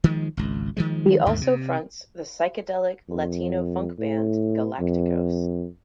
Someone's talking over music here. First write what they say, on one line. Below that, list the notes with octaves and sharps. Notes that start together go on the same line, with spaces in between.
He also fronts the "psychedelic latino-funk" band Galaktikos.
D#3 F3 G#3
G#1 C#2
D#3 F3 G#3
D#2 G#2 D3
C3
F2
A2
F2